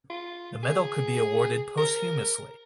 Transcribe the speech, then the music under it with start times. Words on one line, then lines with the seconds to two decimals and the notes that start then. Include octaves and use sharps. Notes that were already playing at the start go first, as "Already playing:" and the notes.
The medal could be awarded posthumously.
0.10 F4
0.63 G#4
1.78 A#4